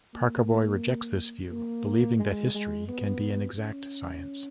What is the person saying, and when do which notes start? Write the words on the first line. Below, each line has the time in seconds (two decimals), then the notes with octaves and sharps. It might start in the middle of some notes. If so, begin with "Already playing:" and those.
Parkaboy rejects this view, believing that history can be an exact science.
0.14 A#3
1.51 A#3
2.19 G#3
2.54 G#3
2.88 B3
3.57 C#4